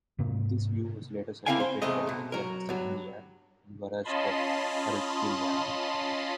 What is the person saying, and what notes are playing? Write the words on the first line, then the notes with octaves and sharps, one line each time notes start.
This view was later supported by Alexander Sahinian and Varazdat Harutyunyan.
G#2 C3 A#3
A#3 C4 E4 F5 G5 G#5
C5
E2 G#2 C3 G#3 A3 D#5
B2
F#3 A#4
G2 F#3
C#4 F4 D#5 A5 B5 C6